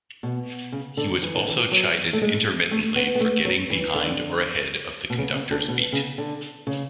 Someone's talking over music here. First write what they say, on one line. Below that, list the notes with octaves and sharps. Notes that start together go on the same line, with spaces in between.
He was also chided intermittently for getting behind or ahead of the conductor's beat.
B2
C#3
D3
E3
D3
E3
F#3
A3
G#3
A3
B3
B3
A3
F#3
E3
D3
B2
C#3
C#3
D3
B2
C#3
D3
C#3